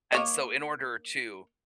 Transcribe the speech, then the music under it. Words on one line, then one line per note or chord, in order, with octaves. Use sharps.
and so, in order to
A#3 C#5 D#5